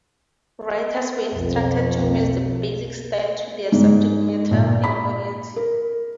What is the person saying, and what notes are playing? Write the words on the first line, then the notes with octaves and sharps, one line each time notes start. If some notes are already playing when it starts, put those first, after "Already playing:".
Writers were instructed to match the basic style to their subject matter and audience.
B1 F2
G#2
A#2
B5
A#4